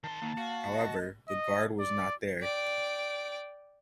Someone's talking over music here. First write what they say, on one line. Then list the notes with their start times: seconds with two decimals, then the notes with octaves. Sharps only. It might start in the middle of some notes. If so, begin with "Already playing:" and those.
However, the guard was not there.
0.04 D#3 A5 C6
0.22 D#2 D#3 A#3
0.37 F#4 F5
0.73 D#5
1.28 D#5
1.79 D5
2.41 D5 G5